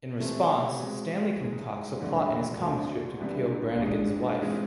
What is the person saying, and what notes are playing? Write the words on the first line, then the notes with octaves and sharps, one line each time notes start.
In response Stanley concocts a plot in his comic strip to kill Brannigan's wife.
C3 E3 A3 C4
B2 G#3 C4
G#2 E3 G#3
F1 E2 D3 A3
D2 D3 A3 C4
C2 C3 E3 B3 D4
A1 G#2 G#3 D4
G#2 E3 G#3 C4 F4